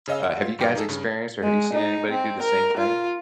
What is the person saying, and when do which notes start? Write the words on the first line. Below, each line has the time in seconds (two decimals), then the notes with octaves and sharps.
Uh, have you guys experienced or have you seen anybody do the same thing?
0.07 C#3 C#4 D#5 F5 E6
0.23 F#5
0.42 F4
0.59 G2 F3 G5 D6 F6
0.75 D#4 G#4 A4
0.88 G2 C#3
1.43 G#3
1.73 D#4
2.11 C4
2.42 A#4
2.77 F4